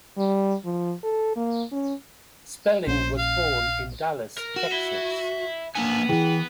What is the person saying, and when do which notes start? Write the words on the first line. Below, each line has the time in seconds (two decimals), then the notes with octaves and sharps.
Spelling was born in Dallas, Texas.
0.18 G3
0.65 F3
1.04 A4
1.36 A#3
1.72 C#4
2.87 A#1 C#4 C5
3.18 F5
4.38 A#4
4.56 F#4 E7
4.72 E5 B5 G7
5.75 A#3 B3 D4 G#5
6.09 D#3 E3 E4 G#4 G5